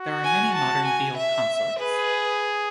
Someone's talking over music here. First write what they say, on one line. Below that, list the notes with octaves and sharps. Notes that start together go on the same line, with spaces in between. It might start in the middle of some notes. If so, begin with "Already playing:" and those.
There are many modern viol consorts.
Already playing: F#4
G#5
A5
G#5
E5
G#4 B4